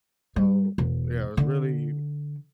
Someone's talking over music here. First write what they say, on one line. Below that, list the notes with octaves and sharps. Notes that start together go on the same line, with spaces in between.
so, yeah, it's really
G3
E1
D3